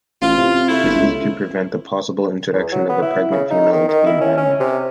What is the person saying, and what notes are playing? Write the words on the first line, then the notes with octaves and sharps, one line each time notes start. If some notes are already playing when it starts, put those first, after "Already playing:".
This is to prevent the possible introduction of a pregnant female into the environment.
A1 F4
C3
A3 E4
G1
C#2
E2
F#3
B3
E4
C#3
D#4
D#3
D#3
E4
C#4
C#4
C3